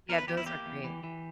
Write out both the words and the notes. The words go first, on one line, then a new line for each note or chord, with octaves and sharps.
Yeah. Those are great.
E2 A#4
B4
E2 G4
E4
A#3 G4
E2
E3
E3